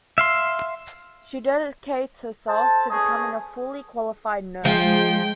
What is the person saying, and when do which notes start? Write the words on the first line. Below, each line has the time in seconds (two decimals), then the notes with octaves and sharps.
She dedicates herself to becoming a fully qualified nurse.
0.18 E5 F5 C6
2.49 A4 C5 A5
2.90 A3 B3 C#4 G#4 D#5
4.65 F3 G#3 G5